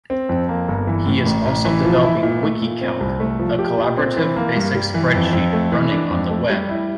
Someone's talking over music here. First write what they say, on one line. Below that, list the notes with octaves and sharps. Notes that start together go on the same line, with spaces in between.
He is also developing wikiCalc, a collaborative, basic spreadsheet running on the Web.
C4
F2
A#3
G1
E3
A2
A1
A1
E3
F3
E4
A#2
A3
A#2
C4
C2
A3
F3
G4
A#2
C4
E3
A#3
G2
G3
E3
F2
F2
A3
E3
D4
F2
A3
G3
E4